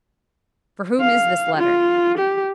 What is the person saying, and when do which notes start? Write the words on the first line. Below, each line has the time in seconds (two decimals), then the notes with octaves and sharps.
"For whom is this letter?"
1.01 F5
1.57 F4
2.18 G4